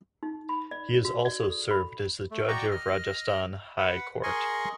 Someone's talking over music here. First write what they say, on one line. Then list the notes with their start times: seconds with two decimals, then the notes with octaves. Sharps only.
He has also served as the Judge of Rajasthan High Court.
0.23 D#4
0.49 B5
0.71 D5
1.05 F#4
1.25 D5
1.43 A4
1.71 B5
2.31 A3
2.48 F#4 D5 D#5 G5 A#5 C#6
2.71 D#5 F6
3.78 B4 F#5
4.23 G#4 A#4 D#5 G#5 C6 C#6